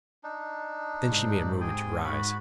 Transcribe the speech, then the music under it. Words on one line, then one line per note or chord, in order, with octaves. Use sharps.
Then she made a movement to rise.
D4 D#4
G#2 C3
G#4 G5 G#5
G#2 F#4 B5